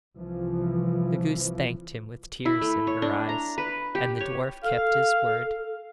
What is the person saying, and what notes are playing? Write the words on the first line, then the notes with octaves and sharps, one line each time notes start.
The goose thanked him with tears in her eyes, and the dwarf kept his word.
C2 E3 F3
E4
A3
C#5
D4
A#5
B4
G4
C#5
A4 F5